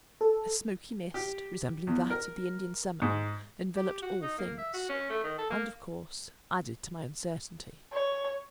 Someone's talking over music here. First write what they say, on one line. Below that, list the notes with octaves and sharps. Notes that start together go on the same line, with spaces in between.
A smoky mist, resembling that of the Indian summer, enveloped all things, and of course, added to my uncertainty.
A4
G4
E2
A#4
G#2
G4
F#4
D#4
A#3
E5
F#4
C#4
A3
D#3
A4
A#3
C#5